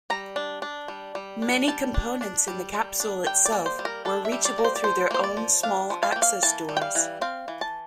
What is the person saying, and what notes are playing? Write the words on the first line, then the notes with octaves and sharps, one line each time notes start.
Many components in the capsule itself were reachable through their own small access doors.
G3 A#5
D4
D4
G3
G3
D4
G3 A5
D4
D4
G3
G3
D4
G3 G5
D5
A#3
C5
G3
A#4
D4 A4
E5
G3
D5
A#3
C5
D5
F3 C5
A#3 C5
D5
F3
D4 F5
F3
F5
A#3 G5
F5
E3 A5
G3
G5
F5
E3
C4 F5
E3
A5